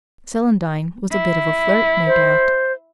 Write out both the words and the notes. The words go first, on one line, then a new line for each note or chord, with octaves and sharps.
Celandine was a bit of a flirt, no doubt.
E4
C5